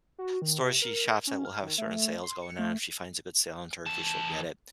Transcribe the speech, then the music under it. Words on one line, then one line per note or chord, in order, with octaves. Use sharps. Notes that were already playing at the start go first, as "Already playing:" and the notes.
store she shops at will have certain sales going on, if she finds a good sale on turkey, she'll get it.
F#4
D#3
C3
A#4
C#4
F6
D#3
A3
C6
C#7
A3
E2 A5